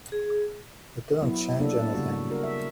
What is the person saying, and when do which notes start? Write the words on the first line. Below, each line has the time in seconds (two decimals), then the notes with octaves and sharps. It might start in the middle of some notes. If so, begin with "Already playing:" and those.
It didn't change anything.
0.12 G#4
1.21 F#3 B3 E4
1.58 A#3 D4 A4
1.94 C#3 G3 F#4
2.30 D4 F#4 A#4
2.44 E5